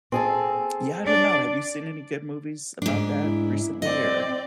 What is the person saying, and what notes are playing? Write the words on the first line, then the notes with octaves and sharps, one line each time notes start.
yeah, I don't know, have you seen any good movies about that recently or
C4 G#4 A4
D4 D5
G#2 D4
E4
C4 D5 D#5